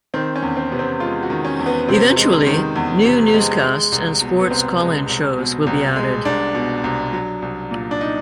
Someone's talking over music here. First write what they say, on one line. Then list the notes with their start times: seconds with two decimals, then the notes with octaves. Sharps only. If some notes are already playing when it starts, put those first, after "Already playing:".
Eventually, new newscasts and sports call-in shows will be added.
0.14 D#3 C4
0.36 C#4
0.42 E2
0.57 C4
0.72 C3 B3
0.79 C4
1.00 G#3 F4
1.23 F#4
1.30 D#3
1.45 C#4
1.59 E2
1.66 B3
1.88 C3 C4
2.17 G#3
2.47 D#3
2.76 E2
3.05 C3
3.34 G#3
3.64 G#3
3.92 C2
4.22 B2
4.40 B3
4.50 C2 C4
4.80 G#3
5.09 C2
5.38 B2
5.67 C2
5.96 G#3
6.25 C2 D4
6.55 B2
6.84 C2
7.13 F#3
7.42 C2
7.71 A#2
7.91 D4
8.01 D#4